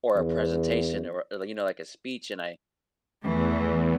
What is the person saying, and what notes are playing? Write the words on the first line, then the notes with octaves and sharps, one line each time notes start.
or a presentation or you know like a speech, and
E2
E2 E3 A3